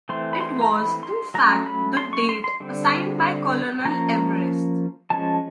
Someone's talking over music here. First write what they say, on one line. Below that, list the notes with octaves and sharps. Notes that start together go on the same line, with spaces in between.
It was, in fact, the date assigned by Colonel Everest.
E3 A3 C4 C6
B5
C6
A#5
B5
C6
F#3 A3 C#4 A#5
B5
C6
C#6
C6
C6
D3 G3 C4
F3 A#3 C#4 A#5
F3 G#3 C#4 A5